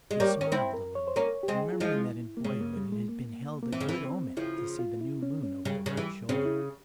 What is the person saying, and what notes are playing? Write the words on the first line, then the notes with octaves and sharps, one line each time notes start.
He smiled a little, remembering that in boyhood it had been held a good omen to see the new moon over the right shoulder.
G#3
G3 A#3 C#5
C#4
A#4
C4 E4 C5
A#4
C#5
C5
A#3 C#4 C#5
G4
G#3 C4 G#4
F4
F3 G#3 E4
A#3
C#3 G#3
A#3
G3
G#3
A#3
A#3
E3 C4
C#3
E3
C4
C#3 F3 E4
F4
F4
E4
C#4
C#4
C#3 G3
C#3
E3
C#3 C4
E4